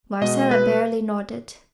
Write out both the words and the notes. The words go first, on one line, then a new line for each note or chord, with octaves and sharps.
Marcella barely nodded.
B2 G#3 D#5
B4